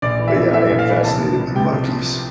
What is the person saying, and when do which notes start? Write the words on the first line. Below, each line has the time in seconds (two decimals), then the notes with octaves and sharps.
but, yeah, I am fascinated with monkeys.
0.02 A#1 D5
0.19 E3
0.28 E5
0.36 A#1
0.53 A2 E5
0.70 A#1
0.79 F5
0.88 E3
1.04 C2 A5
1.21 F3
1.39 C2
1.55 C3 G5
1.72 C2
1.90 F3